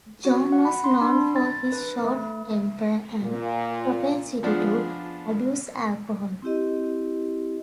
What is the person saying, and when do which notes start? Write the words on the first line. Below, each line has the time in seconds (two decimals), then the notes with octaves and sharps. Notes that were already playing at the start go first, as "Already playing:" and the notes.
John was known for his short temper and propensity to abuse alcohol.
0.25 F#4
0.52 F#5
0.65 B5
0.84 C6
1.01 D4
1.36 A6
1.72 B4
2.05 A3
3.22 A#2
4.43 F3 B3 D4 F4 G#4
6.42 C4 E4 G4 D#5